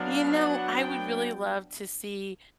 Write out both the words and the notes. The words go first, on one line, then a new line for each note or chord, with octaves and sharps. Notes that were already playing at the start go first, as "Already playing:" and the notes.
You know, I would really love to see
Already playing: F#3 B3 D4 F5
F#5
G5